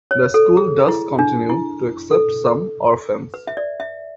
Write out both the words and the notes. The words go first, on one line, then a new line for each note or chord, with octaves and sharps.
The school does continue to accept some orphans.
C#5
A4
G#4
E4
D4
E4
A4
B4
E5
D5
E5